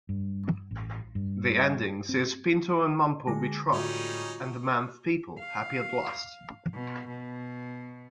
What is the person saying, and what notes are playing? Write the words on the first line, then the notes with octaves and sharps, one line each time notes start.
The ending sees Pinto and Mumpo betrothed, and the Manth people happy at last.
G2
A1
G2
C4
D3 G#3 D6 A#6
A2 G3 C#4 D#4 F4 F#4
F5
B2
B2